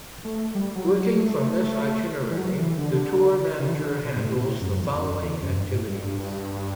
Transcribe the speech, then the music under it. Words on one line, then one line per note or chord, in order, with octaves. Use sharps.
Working from this itinerary, the tour manager handles the following activities.
A3
G3
F#3
F#3
A3
E3
F#3
E3
D3
C#3
E3
D3
D3
B2
G2
A2
B2
A2
F#2
F#2
E2
E2
F#2
E2
F#2
G2
A2
G2